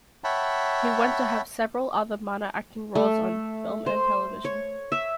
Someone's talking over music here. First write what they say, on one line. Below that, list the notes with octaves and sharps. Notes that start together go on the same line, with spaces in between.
He went to have several other minor acting roles on film and television.
C#5 E5 F#5 G5 A5 B5
A3
C5
C#5
E5